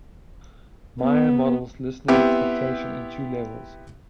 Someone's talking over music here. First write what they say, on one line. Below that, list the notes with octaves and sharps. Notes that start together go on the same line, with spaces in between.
Meyer models listener expectation in two levels.
B3
B3 C4 E4 G4